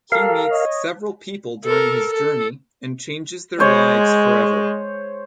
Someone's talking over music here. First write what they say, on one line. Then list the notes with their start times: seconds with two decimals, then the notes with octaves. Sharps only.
He meets several people during his journey and changes their lives forever.
0.12 G4 A4 A#4 F5 A#5
0.51 C#5 D#5
1.65 A4 A#4
2.10 A4
3.60 G#3 C5 C#5